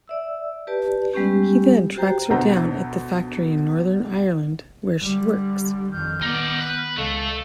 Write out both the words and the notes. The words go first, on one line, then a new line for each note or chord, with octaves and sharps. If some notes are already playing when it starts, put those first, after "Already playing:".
He then tracks her down at the factory in Northern Ireland where she works.
D5 E5 E6
G4 B4 D5 A5
G3 G#3 B3 C#4 G4
F#4 G4 C5 G5 A#5
D2 B2 A4 C5 A#5
D3 G3
F2 D#3 F6 G6
D#3 B3 D#4 D5
B4
C#2 A3 A4 D#5 F5